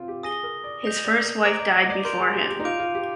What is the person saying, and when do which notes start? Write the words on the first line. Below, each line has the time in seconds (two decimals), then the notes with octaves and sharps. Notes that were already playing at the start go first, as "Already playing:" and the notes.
His first wife died before him.
Already playing: C4 F4
0.08 G4
0.23 G#4 D#6 A#6 D#7 G7
0.43 A#4
0.64 D5
0.83 D#5 G6 A#6 F7
1.04 D5
1.24 A#4
1.44 C5 A#5 D6 G#6 D7
1.60 D#5
1.75 D#5
1.90 D5
2.05 A#4 C6 G6 D7 F7
2.19 G#4
2.34 G4
2.49 G4
2.60 D#4
2.65 F4 D6 G6 D7 F7
2.79 F4
2.95 G4